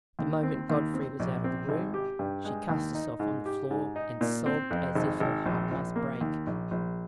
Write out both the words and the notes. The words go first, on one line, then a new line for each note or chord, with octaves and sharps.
The moment Godfrey was out of the room she cast herself on the floor, and sobbed as if her heart must break.
D#2
C4
D#2
C4
A#1
C4
G#1
G4
G2
G#3
D#2
D#4
G#2
G4
G#2
D#4
A#2
C4
F2
G#1
G#1
A#1
A#1
A#3
D#2
A#1
A#1